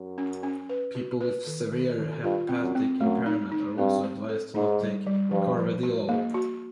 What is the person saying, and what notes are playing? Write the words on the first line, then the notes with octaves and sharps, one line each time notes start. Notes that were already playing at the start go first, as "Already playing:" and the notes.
People with severe hepatic impairment are also advised to not take carvedilol.
Already playing: F#2
C#4
C#4
B4
F#4
B4
D#3
D#3
D#3
G2 F4
C4
F#2
C4
F#2 A3
D#4
D#4
G2 C4
C5
A4
G#2 D#4
G3
G3
G2 F3
F3
F#4
G#2 A#3
F#4